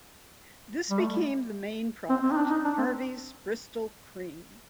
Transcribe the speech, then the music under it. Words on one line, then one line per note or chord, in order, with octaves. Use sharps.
This became the main product: Harveys Bristol Cream.
G3
A3
C4
C4
D#4
D4
D#4
D4
C4